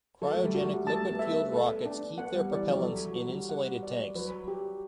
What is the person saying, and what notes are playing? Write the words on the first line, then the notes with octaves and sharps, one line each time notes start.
Cryogenic-liquid-fueled rockets keep their propellants in insulated tanks.
F#3 A4
A3
G3
F#4
G3
A3 A5
A3
B3
E5
B3
A4
D4
B3 F#5
G3
E3 D5
F#3
G3
F#3 A4
F#3
F#4
G3
F#5
D5
F#3 B4
G4